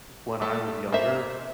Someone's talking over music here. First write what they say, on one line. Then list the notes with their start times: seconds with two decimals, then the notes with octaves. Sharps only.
when I was younger,
0.42 A3
0.92 A#3 C5 E5